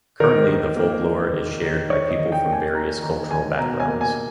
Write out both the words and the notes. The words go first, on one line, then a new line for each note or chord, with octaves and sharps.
Currently the folklore is shared by people from various cultural backgrounds.
D#3 A#4
D#3
A#3
A#3
D#3
D#3
D#3 C#5
D#5
D#3
G5
A#3
G#5
A#3 A#5
D#3 A#5
D#3 G#5
B2 A#5
G#5
A#3
G#5